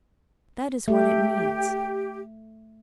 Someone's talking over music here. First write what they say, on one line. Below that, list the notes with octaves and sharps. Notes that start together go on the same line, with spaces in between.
That is what it means.
A3 G4